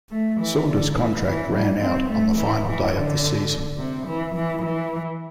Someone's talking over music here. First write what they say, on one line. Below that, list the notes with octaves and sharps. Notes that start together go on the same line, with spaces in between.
Saunders' contract ran out on the final day of the season.
A3
E3
D3
E3
E3
G3
C4
A3
E3
E3
D3
C3
E3
E3
E3